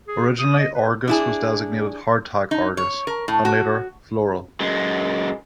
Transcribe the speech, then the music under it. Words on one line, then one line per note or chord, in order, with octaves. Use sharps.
Originally "Argus" was designated "Hardtack-Argus", and later "Floral".
G#4
D#6
D#5
B4
D4 E4 G#4
D#4
C#5
A#4
A2
F#4
F#2 G#3